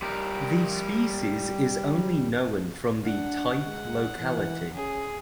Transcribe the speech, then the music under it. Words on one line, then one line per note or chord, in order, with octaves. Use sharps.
The species is only known from the type locality.
G3 G4 A#4
D4 F#5
G#3
E3
C#4 G#4